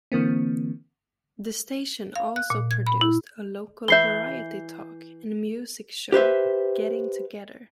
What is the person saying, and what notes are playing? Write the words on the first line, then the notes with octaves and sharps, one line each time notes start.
The station also produced a local variety talk and music show, "Getting Together".
D3 E3 A#3 C4
F5
F#6
A#2
G#6
B5
E4
E3 E5 G6 C7 G7
G4 B4 C5 E5